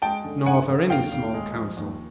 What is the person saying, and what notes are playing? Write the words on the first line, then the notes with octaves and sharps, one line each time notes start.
Nor for any small Council.
G#3 G5 A5
D3
D3 F#5 G#5
D3
D#2 F5 G5
D#2
G#3
F3
D#2